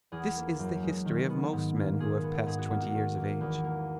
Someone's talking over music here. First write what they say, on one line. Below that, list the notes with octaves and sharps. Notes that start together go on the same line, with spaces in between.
This is the history of most men who have passed twenty years of age.
E2 G#4
A#3
F#2
G#3
D#3
B3
G#2
A#3
A#2 G#4
B3
G#2 G#4
F#4
A#3
F#4
D#3
A#3
E2
A#3